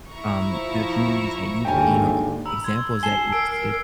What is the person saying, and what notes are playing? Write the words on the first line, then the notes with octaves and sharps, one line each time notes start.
um, the communities that you've seen or at least the examples that you listed
E4 A#5 C#6
F3
G#1 D#2 D3 G5 G#5
A#5 B5 E6
C6 G#6
G#5 A5 C7 G7
A#4 E6 C7 D7